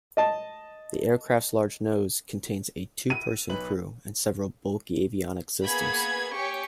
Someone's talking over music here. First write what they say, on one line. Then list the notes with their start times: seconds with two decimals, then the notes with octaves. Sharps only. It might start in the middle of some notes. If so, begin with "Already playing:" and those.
The aircraft's large nose contains a two-person crew and several bulky avionics systems.
0.17 D#5 A5
3.10 D#7
3.50 B1 B4 F#7
5.65 A#3 B3 G#4 B5 G#6
6.35 G4 C#5 G#5 C#6